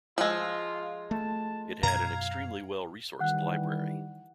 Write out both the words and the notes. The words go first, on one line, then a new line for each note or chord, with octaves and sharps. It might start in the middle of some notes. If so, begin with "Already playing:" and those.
It had an extremely well resourced library.
F3 G#3 F4 E6
A3 A5
F#2 B2 F5 A#5 G#6
D#3 E3 G3 F#5 F#6